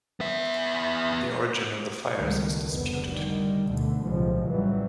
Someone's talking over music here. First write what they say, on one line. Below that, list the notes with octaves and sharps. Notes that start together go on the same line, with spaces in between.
The origin of the fires is disputed.
B3 E5
C#2 B2 D#3 G3 A3
F1 C2 D3 B3
D3 D#3 G3
D2 B2 D3 A3
B1 A2 C#3 F3 G3 G#3
A1 F#2 E3 F#3 G3